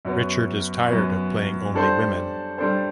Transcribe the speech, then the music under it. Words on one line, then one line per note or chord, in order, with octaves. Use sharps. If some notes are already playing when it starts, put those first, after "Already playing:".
Richard is tired of playing only women.
F#2 F#3 B3
F#2 F#3 B3
G3 D4 A4 C5
G3 D4 A4 C5